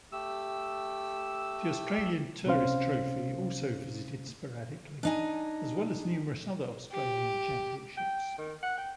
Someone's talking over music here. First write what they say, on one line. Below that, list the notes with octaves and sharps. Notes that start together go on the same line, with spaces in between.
The Australian Tourist Trophy also visited sporadically as well as numerous other Australian Championships.
A3 G4 E6
C#2 C3 C#4 C5 F5
D4 D#4 G#5
G4
G5
D#3
F#5
G5